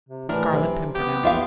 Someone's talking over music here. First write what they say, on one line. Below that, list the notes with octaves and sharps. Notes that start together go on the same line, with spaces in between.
The Scarlet Pimpernel.
C3
A2 E3 D4 A#4
B1 C3
B3 G4
A#1 E2 F4 E5 F5